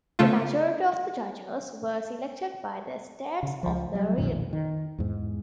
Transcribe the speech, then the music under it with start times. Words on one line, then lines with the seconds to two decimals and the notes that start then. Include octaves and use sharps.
The majority of the judges were selected by the Estates of the realm.
0.19 C#3 A3 F4
3.43 C#3
3.63 C#2 F3
3.94 F#3 G3
4.18 B1 F2 A#2 D#3
4.53 D#3
4.98 E2 G#2